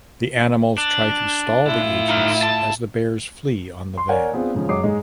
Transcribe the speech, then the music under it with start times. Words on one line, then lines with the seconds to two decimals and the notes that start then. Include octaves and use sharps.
The animals try to stall the agents as the Bears flee on the van.
0.78 D4
1.66 A2 E4 F4
2.09 D#4 F5
2.43 A5
3.98 C6
4.09 A#4 C#5 D5 F#5 G#5
4.34 B3 C4 D4 F4 G#4
4.55 G#2 C#3 F3
4.69 F#2 F#3 G#3 D6 D#6 C7
4.84 G#2 G#3